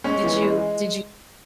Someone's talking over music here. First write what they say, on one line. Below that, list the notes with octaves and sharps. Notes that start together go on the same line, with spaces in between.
did you did you
G#3 C#4
E3
G#3